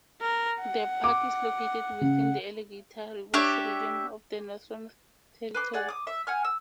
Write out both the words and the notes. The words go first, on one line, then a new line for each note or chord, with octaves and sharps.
The park is located within the Alligator Rivers Region of the Northern Territory.
A#4
F#5
D6
C#3
D4 G4 C#5 E5
B4 C5 D6
G#4 D5 F#5
D6 D#6
E5
F#5 G#5 F6
E6